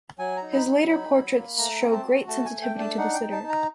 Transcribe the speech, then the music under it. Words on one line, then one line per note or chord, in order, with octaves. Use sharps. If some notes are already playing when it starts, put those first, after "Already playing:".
His later portraits show great sensitivity to the sitter.
F#3 G#5
A#5
D#4
B5
F#3
D#4 B5
F#3
A#3
A3 A#5
C4
A5
F#4
A3 A5
G#5
A3
G5
D4
A5
D#4 F#5
G5
D#4
A5
D#4
A#5